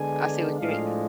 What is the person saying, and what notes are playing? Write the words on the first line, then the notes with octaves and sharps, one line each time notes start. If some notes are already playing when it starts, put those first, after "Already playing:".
I see what you mean
Already playing: D3 G#3 B3 D4 G#5
A2 F3 G#3 D4 F5